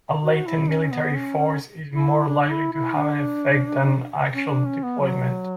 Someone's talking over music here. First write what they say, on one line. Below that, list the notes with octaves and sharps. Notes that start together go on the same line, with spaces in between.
A latent military force is more likely to have an effect than actual deployment.
F#4
E4
C#4
B3
C#4
C#4
E4
D4
E4
E4
D4
C#4
D4
C#4
B3
F#3